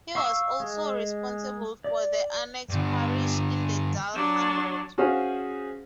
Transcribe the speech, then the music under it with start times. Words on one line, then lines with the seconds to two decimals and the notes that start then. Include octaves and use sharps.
He was also responsible for the annex parish in the Dal Hundred.
0.15 F5 C#6 E6
0.60 G#3
1.84 D5
2.69 G2 D3
4.14 F#3 D4
4.98 C#4 F#4 G#4 C5 F5